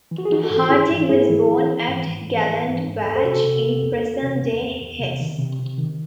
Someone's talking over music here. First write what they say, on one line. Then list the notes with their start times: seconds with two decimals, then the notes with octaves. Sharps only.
Hartig was born at Gladenbach, in present-day Hesse.
0.11 E3
0.18 F#4
0.25 G#4
0.31 E3 D#4 F#4
0.43 F#4 A4
0.50 G#2
0.70 E3 E4 G#4
0.90 G#2
1.09 G#2 E4 G#4
1.29 E3
1.48 E3
1.68 E3
1.88 G#2
2.07 E3
2.27 G#2
2.47 E3
2.66 G#2
2.85 G#2
3.05 E2 A4
3.16 C5
3.24 C3 F#4 A4
3.44 C3
3.63 C3
3.82 E2
4.02 E2
4.23 C3
4.42 E2
4.61 E2
4.81 E2
5.00 C3
5.21 D#3
5.39 C3
5.59 C3
5.78 D#3